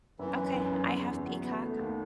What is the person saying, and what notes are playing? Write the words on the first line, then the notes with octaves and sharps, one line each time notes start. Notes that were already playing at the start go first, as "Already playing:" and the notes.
Okay, I have Peacock.
F#2 E3
F#2
F#2
F#2
E2
E2
F#3
B3
A3
D#2